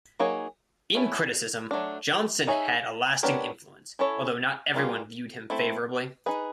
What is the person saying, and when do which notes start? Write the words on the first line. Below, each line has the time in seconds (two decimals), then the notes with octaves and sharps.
In criticism, Johnson had a lasting influence, although not everyone viewed him favourably.
0.20 F#3 A#3 D#4 G#4 C#5
0.95 A3 C#4 E4
1.71 F#3 A3 D4
2.47 D#4 G#4 C#5 E5
3.23 B3 D4 G4 A#4 C#5
3.99 C#4 E4 A4 C#5
4.74 G3 A#3 C#4 F4 G#4
5.50 A3 C4 E4
6.26 D#4 G#4 B4